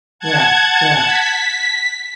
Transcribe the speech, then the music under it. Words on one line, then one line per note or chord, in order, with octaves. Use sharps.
Yeah, yeah.
F#5 A5 G#6
B6